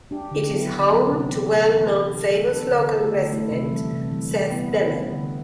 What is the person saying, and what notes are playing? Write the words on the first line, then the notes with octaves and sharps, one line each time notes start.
It is home to well known famous local resident Seth Dellow.
D4 G4
D3
F#3 B3 E4 G4
D3
F#3 B3 E4 G4
C3
E3 B3
C3
E3 B3
F#3
B3 D4 A4
F#3
B3 D4 A4
D3
A3 E4 A4
D3
A3 E4 A4
C3
E3 G3
C3
E3 G3
G3
B3 E4
G3
B3 E4
D3